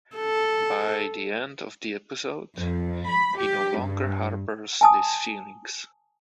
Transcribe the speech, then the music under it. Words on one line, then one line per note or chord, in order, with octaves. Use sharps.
By the end of the episode, he no longer harbors these feelings.
A4
F2
B5
G4
G2
G#5 A5 D#6